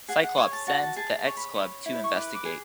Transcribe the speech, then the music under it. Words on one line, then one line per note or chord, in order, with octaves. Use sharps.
Cyclops sends the X-Club to investigate.
G#4 F#5
F#5
C#5 G#5
A5
F#4 A5
A5
G#4 A5
A5
C#5
B5
C#5
E4
B5
C#6
B4 D6
D6
G#4